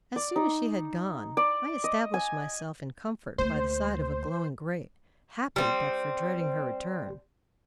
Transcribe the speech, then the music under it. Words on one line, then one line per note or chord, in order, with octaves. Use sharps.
As soon as she had gone, I established myself in comfort by the side of a glowing grate, happy but for dreading her return.
D5
D#4
D5
D#5
G#5
D2 A#3 C5
G3 C4